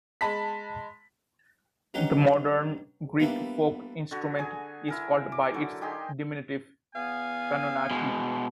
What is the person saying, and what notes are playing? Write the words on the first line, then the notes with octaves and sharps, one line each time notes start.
The modern Greek folk instrument is called by its diminutive, "kanonaki".
G#3 A5 B5 B6
G2 F#3 C#4 D#4 G4 F#5
G3 A#3 B3 D4 E4
D3 F#4
G#4 G#5
E4 A#4 G#5
D6
D3 F#3
D#4 G4 G#4 C6
E2 B3 F5 G#5
B2 G#3